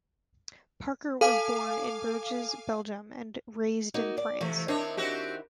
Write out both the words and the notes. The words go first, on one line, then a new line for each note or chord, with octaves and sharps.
Parker was born in Bruges, Belgium, and raised in France.
A4 F5 G#5 D6
A#3 D#4 F#4
D5
C3 E3 A3
D#3 C4 D4 E4 C#5
C4 F#4 G4